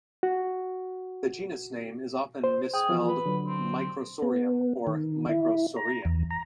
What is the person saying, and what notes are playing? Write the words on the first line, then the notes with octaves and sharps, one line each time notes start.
The genus name is often misspelled "Microsorium" or "Microsoreum".
F#4
C5
G#4 G5
E3 F3 F4
B4
D3 F#3
C4
B3
D#3
E4
A#5
E2
A#5